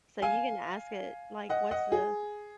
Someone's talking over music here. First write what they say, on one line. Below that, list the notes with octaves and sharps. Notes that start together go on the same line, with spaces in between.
So you can ask it, like, "What's the"
F5 G#5
D#5 F#5
D#5 F#5
G#4